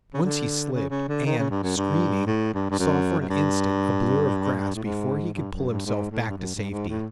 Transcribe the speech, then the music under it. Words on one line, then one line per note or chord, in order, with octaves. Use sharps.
Once he slipped, and, screaming, saw for an instant a blur of grass before he could pull himself back to safety.
C#3
D3
C#3
C#3
D3
D#3
C#3
G2
F#2
G2
A2
G2
G2
F#2
F#2
G2
A2
G#2
G2
F#2
G2
G#2
A2
G2
F#2
G2
G#2
A2